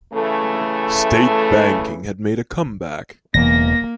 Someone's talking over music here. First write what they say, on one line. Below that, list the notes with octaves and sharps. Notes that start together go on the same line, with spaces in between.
State banking had made a comeback.
C#3 E3 A3
E1 E2 C#3 A#3 A#6